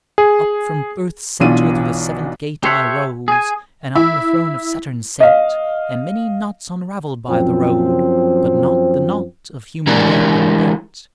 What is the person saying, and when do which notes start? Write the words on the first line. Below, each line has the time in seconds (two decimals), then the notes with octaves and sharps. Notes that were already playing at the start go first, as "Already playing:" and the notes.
Up from Earth's Centre through the seventh Gate I rose, and on the Throne of Saturn sate, And many Knots unravel'd by the Road; But not the Knot of Human Death and Fate.
0.18 G#4
1.40 B1 B2 E3 D4 F4 D#7
2.64 G4 A4 C5 C#5 E5 F#5
3.28 G#4 G#5
3.95 E4
5.20 D#5 F5
7.29 F#2 F3 C4
9.87 E3 G#3 D4 G4 A#4 A#5